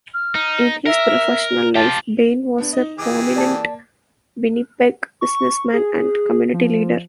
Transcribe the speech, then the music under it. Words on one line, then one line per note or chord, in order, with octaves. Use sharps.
In his professional life Bain was a prominent Winnipeg businessman and community leader.
F6
D#4
A#4 E5
F4 G4 A5
B3 D4
D#4 D#5
E3 G4 G#4 D#5 D6
A#3 D5 A5
C#6
G#4
G#4
F3